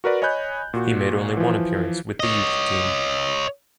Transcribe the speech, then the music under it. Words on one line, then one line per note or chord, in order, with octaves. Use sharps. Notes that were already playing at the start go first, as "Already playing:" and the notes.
He made only one appearance with the youth team.
F#4 A#4 B4 D5
C#5 D#5 G#5 B5 F#6 G6
A#2 F#4
E3 F3
C#5 D#5